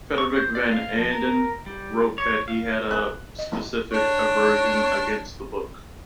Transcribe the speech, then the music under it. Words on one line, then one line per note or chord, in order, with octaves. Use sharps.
Frederik van Eeden wrote that he had a specific aversion against the book.
C#6
C5
D5
F5
F3
A#4
G3
C#5
F5
F#6
D#5
D4 C#5